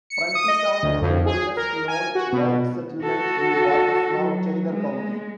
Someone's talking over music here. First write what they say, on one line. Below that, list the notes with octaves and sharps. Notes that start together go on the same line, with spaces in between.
Pruntytown is the oldest known white settlement in what is now Taylor County.
C#7
D#6
D#5
D2
F2
G#4
A#4
G#5
F#4
B2
F#4 A4
F#3
G#3